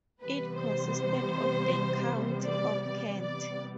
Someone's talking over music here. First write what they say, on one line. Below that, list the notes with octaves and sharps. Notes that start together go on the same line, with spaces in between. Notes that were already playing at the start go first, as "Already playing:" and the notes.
It consisted of the County of Kent.
C3 E3 G3 B3 B4
C5
D5
D5
C3 E3 G3 B3 D5